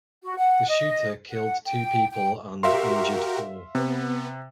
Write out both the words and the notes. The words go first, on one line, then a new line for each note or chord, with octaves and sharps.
The shooter killed two people and injured four.
F#4
F#5
D#5
F#5
G5
G5
F#4 G4 A#4 E5 F5 C6
C3 B3